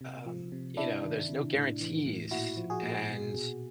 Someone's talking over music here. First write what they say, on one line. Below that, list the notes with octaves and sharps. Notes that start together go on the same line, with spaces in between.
"Um, you know, there's no guarantees, and
C3
F3
C3
C3 D4 E4
D#3
C3
A2
E3
A2
A#2 E4 F#4
F3
F#4 G#4
A#2
B2
B2